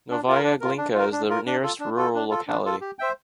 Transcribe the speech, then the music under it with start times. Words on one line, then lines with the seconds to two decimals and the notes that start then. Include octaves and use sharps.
Novaya Glinka is the nearest rural locality.
0.11 D4
0.28 F4 A#4
0.44 D4
0.61 F4 A#4
0.78 D4
0.95 F4 A#4
1.12 D4
1.29 F4 A#4
1.47 D4
1.63 F4 A4
1.80 D4
1.97 F4 A4
2.15 D4
2.30 F4 A4
2.48 D4
2.65 F4 A4
2.81 G4
2.99 C5 E5 G5